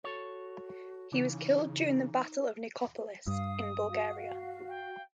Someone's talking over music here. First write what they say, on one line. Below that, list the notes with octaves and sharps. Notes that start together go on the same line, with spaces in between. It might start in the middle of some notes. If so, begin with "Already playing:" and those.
He was killed during the battle of Nicopolis, in Bulgaria.
F#4 A4 C#5
C#3 E3 D#4
G2 F5 D#6
F#4 F5
G5